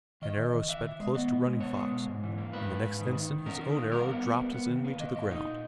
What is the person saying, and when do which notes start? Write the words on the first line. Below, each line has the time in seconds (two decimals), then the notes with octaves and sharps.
An arrow sped close to Running Fox, and the next instant his own arrow dropped his enemy to the ground.
0.22 D#3 D#5
0.38 D#3
0.53 D#3
0.69 D#3 E5
0.84 D#3
1.00 G#3
1.14 B3 D#5
1.30 B2
1.46 G#3
1.60 B3 C#5
1.77 G#3
1.91 B2
2.08 G#2
2.23 E3
2.38 A#3
2.53 G#2 B4
2.69 G#2
2.84 G#2
3.00 D#3
3.15 D#3
3.31 D#3
3.46 C#4 A#4
3.61 D#3
3.77 A#3
3.91 G3 A#4
4.08 B3
4.23 G3
4.39 B3
4.53 B3
4.68 D#3
4.84 A#3 B4
4.99 A#3 D#5
5.15 A#2 D#5
5.31 D#4 D#5
5.45 A#2